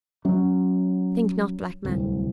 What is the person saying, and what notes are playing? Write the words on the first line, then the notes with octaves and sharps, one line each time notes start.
Think not black man.
F#3 C#4
D1 C2